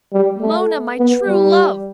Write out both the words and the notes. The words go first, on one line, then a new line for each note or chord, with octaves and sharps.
Mona, my true love.
G3
A3
B3
G3